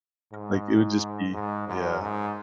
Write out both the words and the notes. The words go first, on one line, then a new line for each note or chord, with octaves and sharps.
like, it would just be Yeah.
G#2
G#2
F#2
G#2